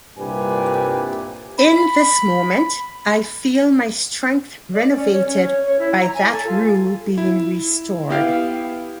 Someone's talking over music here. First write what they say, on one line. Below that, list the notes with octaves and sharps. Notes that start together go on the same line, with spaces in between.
In this moment I feel my strength renovated by that rule being restored.
C2 G2 A#2 G4 B4 G#5
B5
D5
C#4
C#5
C#4
C#5
C#5
E4
A#5
G#5
A4
F4
E4
B3 E4 G4 F5 G5